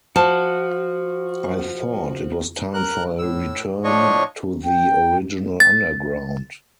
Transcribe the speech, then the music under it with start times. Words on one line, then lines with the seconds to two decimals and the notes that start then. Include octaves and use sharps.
I thought it was time for a return to the original underground.
0.16 F3 F#4 A5
2.74 A#4 F#6
3.19 A2 E6
3.84 A2 F3 D4 C#5 D#5 C#6
4.65 G5
5.60 A6